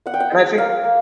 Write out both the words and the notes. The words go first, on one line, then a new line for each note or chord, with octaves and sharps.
And I think
B3 F#5
G5
F#5
G#3
A#3 F5
A#3